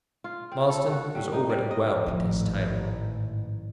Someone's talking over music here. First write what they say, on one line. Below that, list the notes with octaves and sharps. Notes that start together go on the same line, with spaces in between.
Marsden was already well into his tale...
F4
C4
A4
F#4
G3
D#4
G3
D#5
A1 G#2 D#3 F3